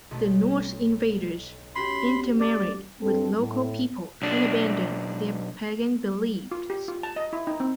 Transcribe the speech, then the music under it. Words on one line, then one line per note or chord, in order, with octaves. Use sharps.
The Norse invaders intermarried with local people and abandoned their pagan beliefs.
B1 A3
C#4 F#4 G4 B5 C6
A3 D5
G2 C4 A4
A2
B1 D4
F4
G4
F4
A5
D#5
E4
D#4
C4